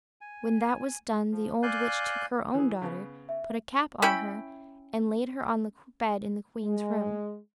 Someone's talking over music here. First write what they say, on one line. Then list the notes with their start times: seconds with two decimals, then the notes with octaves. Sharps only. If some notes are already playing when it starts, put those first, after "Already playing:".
When that was done the old witch took her own daughter, put a cap on her, and laid her on the bed in the queen's room.
0.21 G#5
1.32 F3
1.63 D5 F5 G#5 F#6 G6
2.54 E3 G#4
2.82 C#3 B3
3.29 E5
4.02 C#4 E4 G5 B5
6.63 G#3